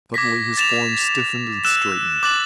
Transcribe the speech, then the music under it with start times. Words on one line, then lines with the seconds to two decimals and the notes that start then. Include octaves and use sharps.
Suddenly his form stiffened and straightened.
0.14 D6 G#6 A#6 B6
0.58 A6 E7 F7
1.65 E6 F#6 E7
2.23 D6 F#6 A6 F#7